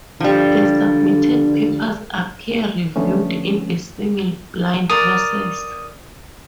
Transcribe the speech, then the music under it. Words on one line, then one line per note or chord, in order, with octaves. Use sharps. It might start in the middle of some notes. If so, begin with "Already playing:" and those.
The submitted papers are peer-reviewed in a single-blind process.
D3 F3 G3
D3 F3 A3 B3 C#4
A#4 D5 D#6